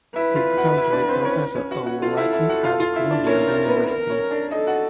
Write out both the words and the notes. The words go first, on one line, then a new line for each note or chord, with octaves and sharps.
He is currently professor of writing at Columbia University.
E4 B4 E5
F4 F5
F#4 F#5
E4 E5
D4 D5
C4 C5
C#4 C#5
C#4 C#5
F#4 F#5
F#4 F#5
F4 A4 F5
E4 E5
E4 E5
F#4 F#5
F4 F5
F4 F5
E4 E5
D4 D5
C#4 A#4 C#5
C4 C5
B3 B4
A#4
C#4 C#5
D4 D5
D#4 A4 D#5
F#4 F#5